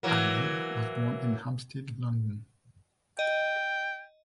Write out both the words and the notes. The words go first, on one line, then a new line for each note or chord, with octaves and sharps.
Arnell was born in Hampstead, London.
E3 F#3 A#3
D#5 G5